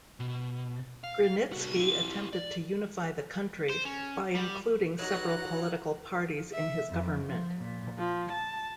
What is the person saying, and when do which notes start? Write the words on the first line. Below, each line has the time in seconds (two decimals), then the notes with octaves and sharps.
Grunitzky attempted to unify the country by including several political parties in his government.
0.20 B2
1.04 F5
1.52 C2 F#4
1.81 E4 G4
2.33 D5
3.69 C5
3.85 C#4
4.35 G3
4.99 F#3 D#4 F#4 B4 F#5 A#5 F#6
6.54 E5
6.90 F2
7.23 F3
7.58 A#2
7.99 F3
8.33 A5